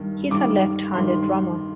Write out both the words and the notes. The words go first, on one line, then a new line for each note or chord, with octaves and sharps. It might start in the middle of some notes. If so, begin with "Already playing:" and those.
He is a left-handed drummer.
Already playing: G2 D#3
G2 D#3 D6
G2 D#3 C6